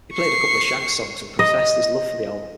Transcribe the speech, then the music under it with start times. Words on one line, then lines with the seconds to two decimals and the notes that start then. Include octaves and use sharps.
He played a couple of Shaggs songs, and professed his love for the album.
0.14 C#6 C7
1.39 D#5